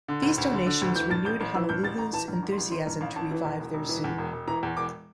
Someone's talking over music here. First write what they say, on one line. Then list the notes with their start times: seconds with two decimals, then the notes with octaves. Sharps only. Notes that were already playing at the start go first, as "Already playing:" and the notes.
These donations renewed Honolulu's enthusiasm to revive their zoo.
0.08 D3
0.22 D2
0.38 D2
0.52 D3
0.66 D3
0.81 D2
0.96 E3 G6
1.10 G2 A6
1.25 A1 G6
1.41 A1
1.54 E3 E6
1.69 G2 G6
1.84 A1 A6
1.98 A1 A#5
2.13 E3 A5
2.28 G2 A#5
2.43 A1
2.52 C6
2.58 A1
2.72 E3 C6
2.86 G2 A#5
3.01 A1 F5
3.16 A1 A5
3.31 E3
3.45 E2
3.59 E1
3.74 E1
3.89 E3
4.04 E2
4.18 E1
4.33 E1
4.47 E3 A#5
4.63 E2
4.77 E1 D6